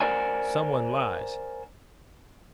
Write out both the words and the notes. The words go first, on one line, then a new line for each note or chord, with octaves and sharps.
Someone lies.
A#4 C5 D5 F#5 G#5